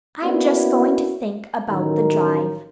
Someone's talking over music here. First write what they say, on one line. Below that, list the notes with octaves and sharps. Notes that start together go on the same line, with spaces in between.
I'm just going to think about the drive.
A#3 B3 C#4 D4 E4 F#4
A1 D#3 F#3 C#4 A#4